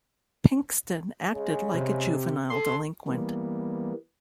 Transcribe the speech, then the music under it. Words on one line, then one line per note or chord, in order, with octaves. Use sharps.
Pinkston acted like a juvenile delinquent.
C#3 G#3
C3
A4 C6
E3 G3 A#3 B3